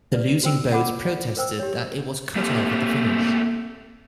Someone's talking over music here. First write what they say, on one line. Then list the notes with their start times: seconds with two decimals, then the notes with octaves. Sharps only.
The losing boat protested that it was cut off at the finish.
0.14 B4 D5
0.43 F#4 C5 G5 E6
0.72 F#5 B5 D6
1.05 D5
1.37 A#4 C5 G5 E6
1.59 G4 C#5
2.36 A3 A#3 C4 F4 G4 A#4